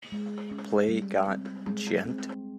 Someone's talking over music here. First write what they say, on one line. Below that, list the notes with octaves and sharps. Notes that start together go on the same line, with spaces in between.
Play Got Djent?
G#3
C#4
G3
C4
G#3
C4